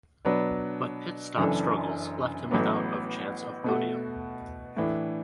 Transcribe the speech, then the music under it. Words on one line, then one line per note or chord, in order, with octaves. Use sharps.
But pit stop struggles left him without of chance of podium.
B2 F#3 D4 B4 D5
F#1 F#2 E3 D4 A4
A1 A2 F#3 B3
B2 A3 F#4
A2 E3 D4